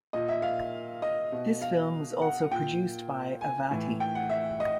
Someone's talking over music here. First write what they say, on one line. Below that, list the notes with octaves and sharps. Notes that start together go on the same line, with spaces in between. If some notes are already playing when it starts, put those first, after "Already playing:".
This film was also produced by Avati.
A#2 D#5
E5
F5
D#5
B2
F5
F#5
A#2 G5
G#5
A2 E3
G5
F#5
E5
D#5